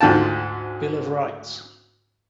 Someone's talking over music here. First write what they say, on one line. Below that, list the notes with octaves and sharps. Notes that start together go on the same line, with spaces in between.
Bill of Rights.
D2 G#2 D3 F4 G5 A5